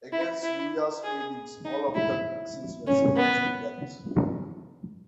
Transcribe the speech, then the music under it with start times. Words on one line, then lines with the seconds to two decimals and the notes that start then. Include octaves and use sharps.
Against Urrea's pleadings, all of the Texians were sentenced to death.
0.12 E4
0.43 E4
1.04 G#4
1.65 D#4
1.95 E4
2.87 C#4
3.17 B3